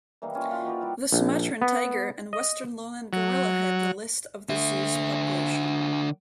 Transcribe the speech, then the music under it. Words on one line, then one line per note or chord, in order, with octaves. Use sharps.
The Sumatran tiger, and western lowland gorilla head the list of the zoo's population.
E3 G3 A#3 D#4
C#4 F4
F4 F#4
D#4 G4 B4 D5
G3 E4 F#4
A#1
B3
D#5
F#3
D3 E5